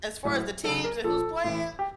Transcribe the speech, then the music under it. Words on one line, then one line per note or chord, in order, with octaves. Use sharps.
a as far as the teams and who's playing,
A2 F#3
C#3 F#3 A4
A#4
A#2 F3 A4
A2 E3
G4